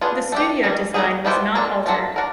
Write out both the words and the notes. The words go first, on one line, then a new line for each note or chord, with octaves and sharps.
The studio design was not altered.
B3 D4 F4 G#4
A3 D4 G4
D#3 G3 A#3 C#4
G3 A#3 D#4 G#4
G3 B3 E4 G4 C5
A#3 D4 F4 A4
F#3 A3 D4 F4
D4 F#4 A#4